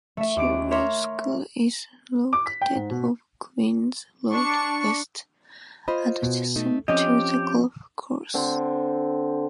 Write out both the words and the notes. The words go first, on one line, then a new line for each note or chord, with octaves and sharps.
Chilwell School is located off Queens Road West adjacent to the golf course.
A3 E5
D#2 D6 D7
A#4 C#5 E5 C6
D6
B6
G5
G#2
B2
D4 C#6 C#7
F4 C5 D#5 B5
B2
A3 D#4
F3 C4 C#4 G4 D#5
D3 C4